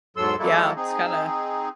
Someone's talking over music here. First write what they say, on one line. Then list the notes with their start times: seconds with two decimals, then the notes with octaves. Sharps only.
Yeah, it's kinda
0.17 E2 G#2 F#3 A4 C6 E6
0.39 F#3 G#3 A#3 E4 A4
0.76 C4 D#4 G#4